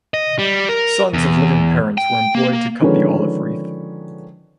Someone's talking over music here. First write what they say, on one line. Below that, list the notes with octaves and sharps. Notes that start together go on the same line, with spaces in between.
Sons of living parents were employed to cut the olive-wreath.
D#5
G3
A#4
E2
G5
A#3
D3 D#3 F3 G#3 C#4 B4